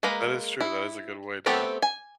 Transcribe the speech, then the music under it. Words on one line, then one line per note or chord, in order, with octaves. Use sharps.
That is true. That is a good way to
G#3 A#3 B4 A#5
E4
A3 B3 C4 G4 A4
G#5